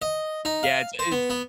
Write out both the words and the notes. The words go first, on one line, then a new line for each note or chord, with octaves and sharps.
Yeah, it's it's
D#5
D#4
F5
C5
B3
B3